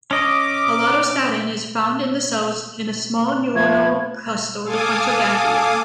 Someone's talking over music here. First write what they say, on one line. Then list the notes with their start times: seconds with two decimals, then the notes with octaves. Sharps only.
Allatostatin is found in the cells in a small neuronal cluster, the frontal ganglion.
0.11 C#4 D#5 D6
3.55 F3 A3 G#6
4.64 A4 F5 G#5 D6 D#6